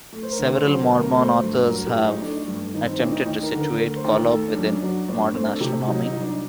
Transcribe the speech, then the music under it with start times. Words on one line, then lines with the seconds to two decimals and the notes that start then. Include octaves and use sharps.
Several Mormon authors have attempted to situate Kolob within modern astronomy.
0.12 A3
0.23 C5
0.32 A#4
0.39 D3 C5
0.65 F#3 C5
0.82 A#4
0.91 D2
1.00 A#4
1.17 A3 C5
1.43 G2
1.69 F#3 A#4
1.87 G4
1.95 A1
2.04 D#4
2.21 A3 D4
2.48 G2
2.73 D#3 D#4
2.87 C4
2.99 A1 D4
3.12 D#4
3.26 D#2 D#4
3.43 A#4
3.52 D3
3.60 A#4
3.77 A3 A#4
3.96 C5
4.04 D#2
4.13 A#4
4.30 A3 A4
4.48 D4
4.56 F#2
4.65 D4
4.82 F#3 D4
5.08 G1 D4
5.35 A3 C4
5.47 D4
5.56 A4
5.60 C3 G4
5.87 F#3 D#4
6.04 D#4
6.13 C2
6.22 D4